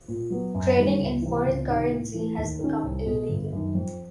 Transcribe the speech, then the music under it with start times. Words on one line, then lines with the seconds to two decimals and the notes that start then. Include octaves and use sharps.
Trading in foreign currency has become illegal.
0.08 A#2
0.30 F#3 B3
0.54 F#2
0.77 D#3 G3
1.00 C#2
1.22 C3 E3
1.46 C#2
1.68 C3 D#3
1.91 A2
2.14 E3 A3
2.37 D#2
2.61 D#3 G#3 C#4
2.83 C2
3.06 B2 G#3
3.29 G1
3.52 F#2 D#3
3.75 F2